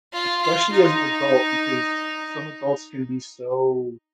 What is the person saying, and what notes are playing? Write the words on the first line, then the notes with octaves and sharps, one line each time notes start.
Especially as an adult because some adults can be so
F4
F4
D#4